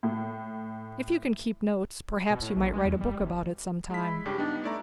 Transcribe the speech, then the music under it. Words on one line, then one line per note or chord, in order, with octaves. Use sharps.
If you can keep notes perhaps you might write a book about it some time.
A2
B2
A2
A#1
G#3
E2
G3
F#1
G#3 E4 B6
G2 C#3 D4 G4
G3 B3 D4 D#4
A3 E4 D5 A#5